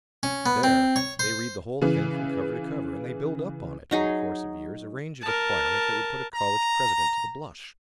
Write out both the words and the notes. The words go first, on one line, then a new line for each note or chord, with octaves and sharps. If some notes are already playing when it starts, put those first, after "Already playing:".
There they read the whole thing from cover to cover, and they build up on it, in the course of years, a range of acquirement that would put a college president to the blush.
C#4
B3
C4
C#5
C5
C#3 E3
F#3 D#4 G#4
A#4 A5
A#5